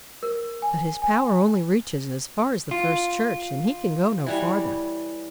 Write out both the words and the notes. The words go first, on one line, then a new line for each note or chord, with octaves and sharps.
But his power only reaches as far as the first church, and he can go no farther.
A#4
G#5
G#5
F4
E3 G3 C#5